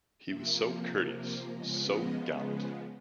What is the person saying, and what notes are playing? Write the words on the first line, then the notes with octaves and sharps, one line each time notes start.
He was so courteous, so gallant!
C3 F3 A#3 E5
D#5
D5
C#3 F3 G#3 B3 D#5
D#5